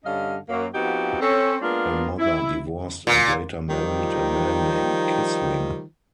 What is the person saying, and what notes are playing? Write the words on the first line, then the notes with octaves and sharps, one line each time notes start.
Her mother divorced and later married a man named Kissling.
G2 D3 G3 C#4 D#5 F5
F#2 F#3 A#3
F3 B3 C4 D#4 F#4 G4
C4 C#4 A4
G#3 A#3 B3 D4 F4 A#4
E4
A#2
D#3 F3 G3 D#4